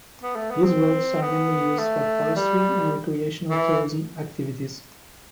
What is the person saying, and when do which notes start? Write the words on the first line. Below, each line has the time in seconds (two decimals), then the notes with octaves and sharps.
These roads are mainly used for forestry and recreational tourism activities.
0.22 B3
0.36 A3
0.50 B3
0.64 C4
1.22 B3
1.79 A3
2.36 G3
3.50 E3